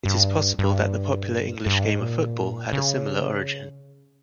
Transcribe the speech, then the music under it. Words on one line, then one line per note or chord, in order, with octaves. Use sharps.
It is possible that the popular English game of football had a similar origin.
G2
G2
G2
G#2
A#2
C#3